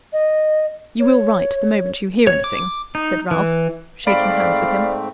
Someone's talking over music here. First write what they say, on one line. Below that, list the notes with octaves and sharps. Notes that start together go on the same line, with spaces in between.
"You will write the moment you hear anything?" said Ralph, shaking hands with him.
D#5
C#5
C#5
D6
D#4
E3
G#2 A3 C4 D5 F5 B5 D7